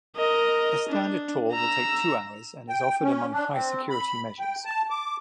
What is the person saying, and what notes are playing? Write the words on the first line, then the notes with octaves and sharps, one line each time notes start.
A standard tour will take two hours and is offered among high security measures.
A#4 D#5
D4
A#5 E6
G5
C#4
D4
C4
B5
G5
A5
D6